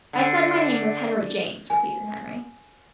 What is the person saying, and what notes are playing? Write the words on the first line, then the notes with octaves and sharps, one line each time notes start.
"I said my name was Henry James," repeated Henry.
D3
G#5